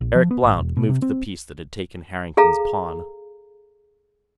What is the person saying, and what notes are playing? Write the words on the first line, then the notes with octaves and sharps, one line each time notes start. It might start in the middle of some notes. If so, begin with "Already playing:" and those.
Eric Blount moved the piece that had taken Harrington's pawn.
A#1
F3
B3
G#1
E1
B2
C3
C4
G#4 A4 F5 A#5